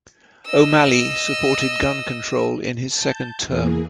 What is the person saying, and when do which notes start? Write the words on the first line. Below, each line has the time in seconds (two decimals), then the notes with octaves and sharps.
O'Malley supported gun control in his second term.
0.46 D#5 E6
2.88 A5 G6
3.46 E2 E3 A#3 G#4